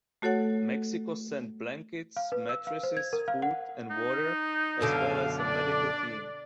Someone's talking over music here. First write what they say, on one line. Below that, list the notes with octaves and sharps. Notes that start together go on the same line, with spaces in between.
Mexico sent blankets, mattresses, food, and water, as well as a medical team.
A3 F#4 A4 C#5 F#5
F5
B4
E6
F5
C5
G#6
A#4
F5
F#5
D#4
F#2 B2 D3 A4 F5
D4 D5